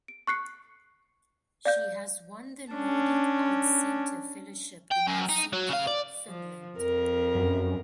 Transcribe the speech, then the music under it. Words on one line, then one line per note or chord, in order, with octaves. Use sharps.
She has won the Nordic Arts Center fellowship in Helsinki, Finland.
D7
C#6 F#6 C7 C#7
D5 F5 G6
C#4 D4
G5
F#2
D#4
F#3
C#3 F5
D5
F3
F2 A#4
F#2